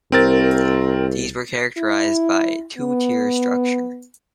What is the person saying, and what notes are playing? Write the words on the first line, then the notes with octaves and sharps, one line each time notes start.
These were characterized by a two-tier structure.
C2 C4 A#4 A6
E4
B3